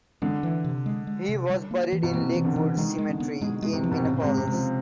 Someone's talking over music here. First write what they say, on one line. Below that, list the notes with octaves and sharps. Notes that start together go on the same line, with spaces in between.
He was buried in Lakewood Cemetery in Minneapolis.
D3 G#3
E3
C3
G#3
G#3
C3
G3
A#3
E3
B2
C3 A#3
E3
D3
E3
D#3 G#3
G#3
D3
B3
B2 G#3
G#3
C3
F3
B2
C3
A2 C#3
C3 G#3
C3
F3 G#3